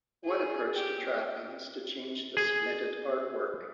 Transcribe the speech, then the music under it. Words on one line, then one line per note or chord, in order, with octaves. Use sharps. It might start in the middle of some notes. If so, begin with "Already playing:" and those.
One approach to trapping is to change the submitted artwork.
G#4
G4
G#4